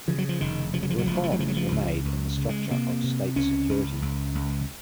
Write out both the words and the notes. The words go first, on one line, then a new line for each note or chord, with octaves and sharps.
Reforms were made in the structure of state security.
C#3 F3
F#3
F3
F1 D#3
C#3 F3
F#3
F3
F#3
F1 F3
F#3
F3
F#3
C#3 F3
F#3
F3
C#2
C#2
C#3
G#3
C3 A#3
C3
C#2 C#4
C#2
C#2
C#2